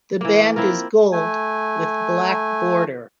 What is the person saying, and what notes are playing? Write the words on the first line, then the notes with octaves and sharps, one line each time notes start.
The band is gold with black border.
E3 A#3
C4 E4 F4 A#4
A3 G#5